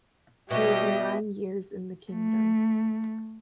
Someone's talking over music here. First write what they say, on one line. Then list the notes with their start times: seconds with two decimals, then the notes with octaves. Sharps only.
He will be nine years in the kingdom.
0.51 B2 G3 G4 D#5 E5
2.12 A3